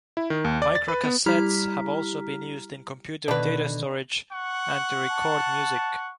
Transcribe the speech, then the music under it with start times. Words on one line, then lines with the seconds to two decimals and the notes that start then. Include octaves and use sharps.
Microcassettes have also been used in computer data storage and to record music.
0.17 E4
0.30 D#3
0.45 D#2
0.62 D5
0.75 A6
0.88 B4
1.04 B3
1.26 G3 E4 G4 A#5 F6 B6
3.28 B2 D3 D#3 D4 B4
4.32 F#5 C#6
5.11 A5